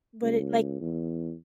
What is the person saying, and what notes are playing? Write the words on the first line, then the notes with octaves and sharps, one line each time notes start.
but it, like
C#2
E2